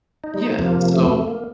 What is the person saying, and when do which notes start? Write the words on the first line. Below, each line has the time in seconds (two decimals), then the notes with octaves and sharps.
Yeah, so
0.24 D#4
0.34 G3
0.42 G#3
0.50 A3
0.58 F2 C3 F3 A#3
0.93 A3
1.28 A#3